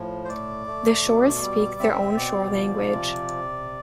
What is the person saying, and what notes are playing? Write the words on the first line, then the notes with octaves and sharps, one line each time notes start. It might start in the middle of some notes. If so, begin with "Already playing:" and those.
The Shors speak their own Shor language.
Already playing: A2 F3
C5
A3 D5
A3
B2
G3
C4 E5
B2 D5
F3
C3